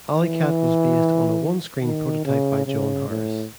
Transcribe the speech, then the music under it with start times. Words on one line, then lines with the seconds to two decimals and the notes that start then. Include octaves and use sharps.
"Alley Cat" was based on a one-screen prototype by John Harris.
0.15 E3
1.83 D#3
2.25 C#3
2.66 C#3
3.09 A2